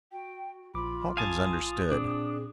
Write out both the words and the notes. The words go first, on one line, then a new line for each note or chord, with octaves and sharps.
Hawkins understood.
F#4 G5
A#1 F4 B5 D6
F5 G#5 A5 D#6
A#2 C4 D4 G#4